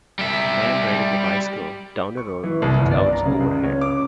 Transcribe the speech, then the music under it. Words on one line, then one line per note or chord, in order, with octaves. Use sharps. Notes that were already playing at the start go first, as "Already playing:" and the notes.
Man riding a bicycle down a road with clouds overhead.
G3 E5
C#6
E3
C2
G1
D5
A#5
C#3
C#2
C#4
D6